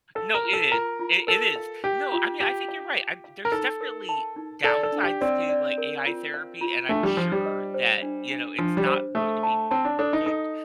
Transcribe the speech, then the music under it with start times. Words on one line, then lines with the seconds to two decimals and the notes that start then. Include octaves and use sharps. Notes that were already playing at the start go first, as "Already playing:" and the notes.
No, it is. It it is. No, I mean, I think you're right, I'm there's definitely downsides to, like, AI therapy and I'm sure that, you know, it's not going to be perfect,
0.15 A4 F5
0.34 A#4
0.43 F4
0.53 A4
0.72 F4 A#4
0.99 F4
1.27 A4 A#4
1.56 F5
1.84 G4 F5
2.12 F4
2.40 G4 F5
2.69 F5
2.96 F5
3.24 F5
3.45 A#4
3.52 D#4 A4
3.81 A#4
4.09 A5
4.36 D#4
4.64 A4 D5
4.83 A4
4.92 D4
5.03 G4
5.21 C4 D5
5.49 D5
5.78 A#4
6.06 F4
6.34 F5
6.61 F4
6.89 A3 D4
7.03 G3
7.17 F3 C5
7.32 G3
7.46 D#5
7.74 C5
8.02 D4
8.30 D4
8.59 F3 D4
8.77 G3
8.86 C5
9.15 A3 A4
9.43 A5
9.71 C4 A5
9.85 D4
9.99 D4 A4
10.13 D#4
10.26 D#4 A4